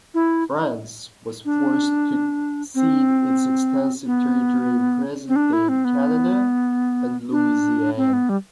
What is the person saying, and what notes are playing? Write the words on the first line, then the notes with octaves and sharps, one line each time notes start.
France was forced to cede its extensive territory in present-day Canada and "Louisiane".
E4
D4
C4
B3
C4
D4
E4
C4
B3
D4
C4
B3
G3